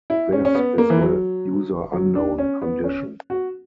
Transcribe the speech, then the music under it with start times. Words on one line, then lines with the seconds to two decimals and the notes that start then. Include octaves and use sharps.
This is a "user unknown" condition.
0.10 E4
0.32 C#4
0.45 C#4
0.55 B3
0.78 A#3
0.90 E3
1.01 F#3
1.93 F#3
2.15 D4
2.38 C#4
2.62 B3
2.84 C#4
3.30 F#4